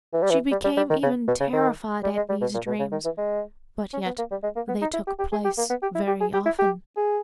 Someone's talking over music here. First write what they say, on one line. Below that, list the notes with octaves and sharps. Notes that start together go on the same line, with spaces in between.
She became even terrified at these dreams; but yet they took place very often.
E3
G3
E3
G3
G3
G3
D#3
C#3
B2
C#3
D#3
G3
G#3
G3
B2
A#2
B2
C#3
D#3
E3
G#3
C#4
B3
A#3
G3
G#3
A#3
B3
D#4
E4
G4
G4
G#4
G4
A#3
B3
G4
E4
G4
G#4
G4
E4
G4
G#4